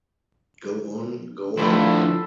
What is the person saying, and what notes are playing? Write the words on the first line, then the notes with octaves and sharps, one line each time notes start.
Go on, go on!
D2 A2 F3 D4 E4 A4 B5 C6